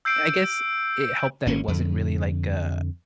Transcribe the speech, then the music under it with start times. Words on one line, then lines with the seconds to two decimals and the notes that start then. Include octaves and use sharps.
I guess it helped that it wasn't really like a
0.05 E6 G6 C7 D7
1.46 G#1 A#3 C#4
1.68 F2 D3